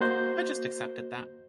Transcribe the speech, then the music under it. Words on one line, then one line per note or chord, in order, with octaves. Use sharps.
I just accepted that.
A#3 F#4 C5 D#5 G6